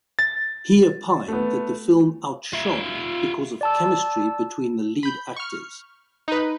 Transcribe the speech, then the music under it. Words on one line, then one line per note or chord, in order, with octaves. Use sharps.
He opined that the film outshone because of chemistry between the lead actors.
A6
A3 B3
F4 E5
D5 A5 E6
B5 G6
C#6 F6
D#4 B4